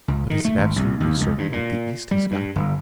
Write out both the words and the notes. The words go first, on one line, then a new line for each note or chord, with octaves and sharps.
"But is it absolutely certain that the East has got them?"
C#2
D#3
A3
G#1
C2
D#2
C#2
G2
A#2
G3
G2
G1